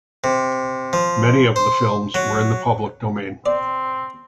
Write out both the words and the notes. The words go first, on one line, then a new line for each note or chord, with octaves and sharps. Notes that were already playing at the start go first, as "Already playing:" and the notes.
Many of the films were in the public domain.
C3
F3
C5
F#3
C4 D5